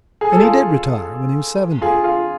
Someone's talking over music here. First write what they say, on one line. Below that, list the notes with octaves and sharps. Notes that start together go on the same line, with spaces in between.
And he did retire when he was seventy.
G#4
A4
F4 G#4
F4 G#4
F4